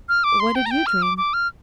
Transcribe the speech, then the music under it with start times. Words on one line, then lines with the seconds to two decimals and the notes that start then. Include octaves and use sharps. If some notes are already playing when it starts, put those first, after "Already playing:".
'What did you dream?'
0.09 F6
0.24 D6
0.40 C6
0.55 G5
0.66 A#5
0.71 G5
0.86 F6
1.02 D6
1.18 D6
1.34 F6